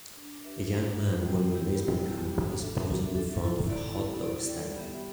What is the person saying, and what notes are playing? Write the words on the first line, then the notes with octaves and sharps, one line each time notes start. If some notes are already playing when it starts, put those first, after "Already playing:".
A young man wearing a baseball cap is posing in front of a hotdog stand.
D4
G4 B4 E5
D4
G4 B4 E5
G3
B3 E4 G4
G3
B3 E4 G4
D4
A4 E5
D4
A4 E5
E4
A4 D5
E4
A4 D5
G3
B3 G4 E5